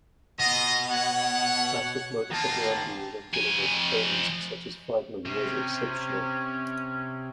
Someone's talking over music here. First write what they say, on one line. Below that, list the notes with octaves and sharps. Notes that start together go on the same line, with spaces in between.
Klass's modus operandi when dealing with opponents such as Friedman was exceptional.
B2 F4 D#5
C#5 F#5
D#3 A#3 D#4 F4 A5
F2 G#5
C3 C#4